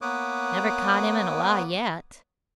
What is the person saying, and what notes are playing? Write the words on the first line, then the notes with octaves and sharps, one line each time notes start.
Never caught him in a lie yet.
A#3 B3 B4 C#5 D6 D#6